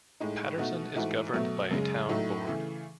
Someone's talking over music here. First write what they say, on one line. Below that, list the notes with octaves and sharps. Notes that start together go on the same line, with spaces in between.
Patterson is governed by a town board.
A2 G#3 D#4
B2 A3 D#4 F#4
G#2 E3 A3 D#4 F#4
B2 F#3 A3
F#2 C#3 G#3
A2 F#3 A3 D#4
C#3 E3 A3